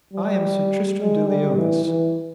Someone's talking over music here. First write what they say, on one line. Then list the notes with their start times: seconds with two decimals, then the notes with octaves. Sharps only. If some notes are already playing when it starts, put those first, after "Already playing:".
I am Sir Tristram de Liones.
0.14 G3
0.99 G#3
1.28 G3
1.56 E3
1.85 E3